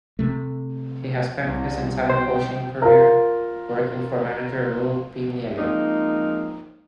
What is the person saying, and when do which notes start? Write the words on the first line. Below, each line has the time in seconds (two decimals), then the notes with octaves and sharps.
He has spent his entire coaching career working for manager Lou Piniella.
0.19 C3 A3
1.42 C2 C3
2.10 B2 C5 G5
2.82 F4 A#4
5.57 F3 G#3 A#3 C4 D#4